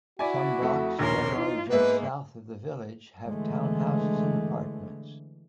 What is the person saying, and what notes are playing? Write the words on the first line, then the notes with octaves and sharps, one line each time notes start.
Some blocks, generally just south of the Village, have townhouses and apartments.
E4 F#4 D5 G#5
F2 A3
A#1 D#2 A#2 A#4 C#5 C6
E3 D#4 F4
G#2 G#3 A#3 B3 B4 E5
D3 E3 G#3 A3